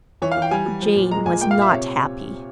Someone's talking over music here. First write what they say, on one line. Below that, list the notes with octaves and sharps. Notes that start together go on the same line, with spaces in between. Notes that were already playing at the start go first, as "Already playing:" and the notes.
Jane was not happy.
E3 C#5
F5
E3
G5
G3 G#5
G3
F3
A#2
G#3 A#5
A#2 G#5
A#3 G5
F5
A#2
E5
C3 C#5